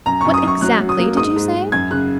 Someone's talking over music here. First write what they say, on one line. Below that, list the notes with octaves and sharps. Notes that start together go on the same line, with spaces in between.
What exactly did you say?'
F#2 A#5
F#2 C#6
D#6
F#2 C#6
F#3 F#6
F#3
D#6
A#3
G#2 D#6
G#2
G#2
F#2 G#6
C#3 F#6